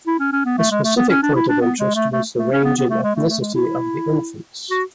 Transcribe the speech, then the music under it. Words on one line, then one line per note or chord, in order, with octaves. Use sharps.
A specific point of interest was the range in ethnicity of the infants.
E4
C#4
C#4
B3
A3
G#3
A3
B3
C#4
D4
E4
D4
B3
G#3
A3
A3
A3
C#4
B3
B3
A3
G#3
A3
A3
G#3
E4
F#4